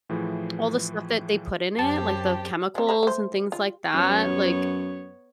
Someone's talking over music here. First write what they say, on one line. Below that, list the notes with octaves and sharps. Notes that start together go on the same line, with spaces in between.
all the stuff that they put in it, like the chemicals and things like that, like,
A2 E3 F3 G#4
F#2 C4 G4 A5
F3 C4
C5 A#5 B5
A3 C5
F4
F#2 B3 C#5